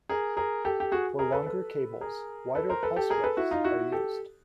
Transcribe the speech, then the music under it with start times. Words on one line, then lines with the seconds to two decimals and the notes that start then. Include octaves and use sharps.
For longer cables, wider pulse widths are used.
0.09 G#4 A#4
0.37 G#4 A#4
0.65 G4 A4
0.80 G4
0.92 F#4 G#4
1.19 G#4 A#4
1.32 A4 B4
1.46 A4 B4
2.01 G#4 A#4
2.55 A4 B4
2.69 A#4 C5
2.83 A4 B4
2.96 G4 A4
3.10 G#4 A#4
3.24 A4 B4
3.37 E4 F#4
3.51 D#4 F4
3.64 E4 F#4
3.92 G4 A4